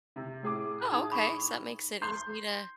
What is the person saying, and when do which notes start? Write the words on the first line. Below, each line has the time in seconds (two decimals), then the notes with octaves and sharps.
Oh, okay. So, that makes it easy to
0.16 C3
0.43 A2 G#4 D6
0.92 D#4 D#6
1.12 B5 C#6
2.02 C6 G6